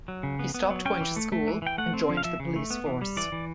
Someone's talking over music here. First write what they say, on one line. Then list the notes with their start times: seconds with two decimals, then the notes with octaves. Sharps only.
He stopped going to school and joined the police force.
0.08 F#3
0.23 C#3
0.39 B3
0.54 B3
0.70 F#3
0.86 C#4 G5
1.01 E3
1.16 A3
1.32 A3
1.47 E3
1.62 E3 G5
1.78 A3 F#5
1.94 C4
2.09 F3
2.17 F5
2.24 F3 E5
2.40 C#3
2.56 A3
2.70 B3
2.86 E3
3.01 G3
3.17 E3 D5
3.32 E3